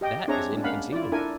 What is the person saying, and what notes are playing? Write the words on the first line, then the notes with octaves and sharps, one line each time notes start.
That is inconceivable.
G4 D#5 G5
C4 D4 G#4 C#5 E5 A#5
G#3 D4
A#3 C#4 D4 F5 F#5 B5
E4 F4 D5
D4 E4 A4 A#4 E5 G#5